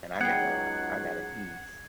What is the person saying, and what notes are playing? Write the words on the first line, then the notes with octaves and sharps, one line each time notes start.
and I got a I got a piece.
C#2 G#2 F#3 B3 F#5 G5 G#6 C7